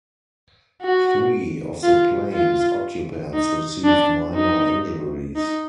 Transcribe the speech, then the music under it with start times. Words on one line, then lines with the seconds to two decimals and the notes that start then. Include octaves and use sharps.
Three of the plane's occupants received minor injuries.
0.81 F#4
1.83 F4
2.33 F4
3.34 D#4
3.84 D4
4.35 D#4
5.36 D#4